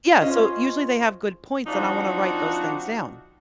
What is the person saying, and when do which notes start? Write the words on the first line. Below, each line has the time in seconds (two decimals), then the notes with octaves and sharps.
Yeah, so usually they have good points, and I wanna write those things down.
0.21 C#4 F4 C5 D#5
1.67 F3 C4 D4 D#4 F4 F#4